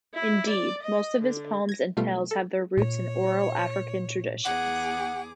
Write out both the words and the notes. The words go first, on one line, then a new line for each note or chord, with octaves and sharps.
Indeed, most of his poems and tales have their roots in oral African traditions.
E4
D5
D#5
D3
G#6 A#6
B2 G3 A3 F4
A4
A#2 C#5
E2 G#4 F#5 D6